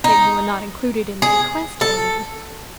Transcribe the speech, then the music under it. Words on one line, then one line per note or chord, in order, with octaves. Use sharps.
"That you are not included in the bequest, I mean."
D#4
G#4
A4